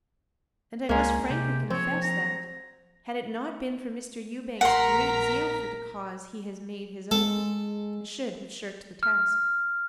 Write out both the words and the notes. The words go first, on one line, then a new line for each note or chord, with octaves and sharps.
And I must frankly confess that, had it not been for Mr. Ewbank's great zeal for the cause he has made his own, I should have shirked the task.
C#2 G#3 A#3 C#4
C3 G4
F3 C4 C#5
A#5
A#1 A#4 F#5 A#5 C6 B6
G#3 A4
F6